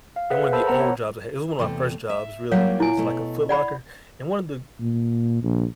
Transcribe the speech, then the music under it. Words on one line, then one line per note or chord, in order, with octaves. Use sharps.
in one of the old jobs I had- It was one of my first jobs, really.- It was, like, a Foot Locker, and one of the
F5
G#4 B4 E5 F#5
A#4 C5 A5 B5 E6
B3 F#5 A#5
C#5
E2 C3 A3
E5
F#3 G3 A#3 C#5 F5 F#5
E4 G#5
B2 A3
D5 F#5 B5
A#2
A#1